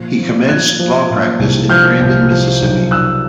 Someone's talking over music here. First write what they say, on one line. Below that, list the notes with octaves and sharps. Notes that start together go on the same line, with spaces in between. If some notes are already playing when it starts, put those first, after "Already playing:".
He commenced law practice in Brandon, Mississippi.
Already playing: A#2 F3
F3
F3 F#6 G#6
F3
A#2
C2
F3 F6 G6
C2
F3
B1
B1 E6 F#6